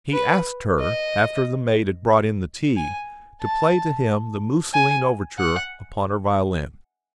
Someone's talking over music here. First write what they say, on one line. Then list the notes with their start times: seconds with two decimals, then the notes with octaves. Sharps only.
He asked her, after the maid had brought in the tea, to play to him the Musoline Overture upon her violin.
0.13 B4
0.79 D#5
2.76 G#5
3.42 A5
4.73 G#5
5.38 F#5